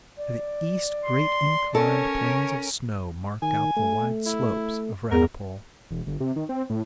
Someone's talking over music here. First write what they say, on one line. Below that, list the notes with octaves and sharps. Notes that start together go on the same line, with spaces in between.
To the east great inclined planes of snow marked out the wide slopes of Radipole.
D5
C6
C#4 A4 A#4 C#5
D#3 G#5
A3
E4
E2 A#4
E1
G1
C3
D#3
C4
A2